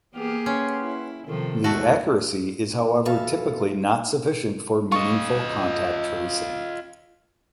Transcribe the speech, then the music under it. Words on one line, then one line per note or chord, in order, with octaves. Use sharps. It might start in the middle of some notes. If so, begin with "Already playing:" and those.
The accuracy is however typically not sufficient for meaningful contact tracing.
E3 A#3 B3 G4 G#4 F6
C#4 B4 F#5 C6
E4
C3 D#3 F3 A4
E2 G#3 A3 F#4 A5
E2 B2 A4 F5
F4 D#5 C#6